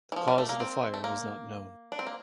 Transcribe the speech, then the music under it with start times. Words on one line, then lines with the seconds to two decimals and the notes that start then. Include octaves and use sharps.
The cause of the fire was not known.
0.12 E3
0.16 F3
0.28 G3
0.38 A3
0.49 A#3
0.60 C4
0.94 A3
1.04 A#3
1.92 D4
1.99 C4
2.07 A#3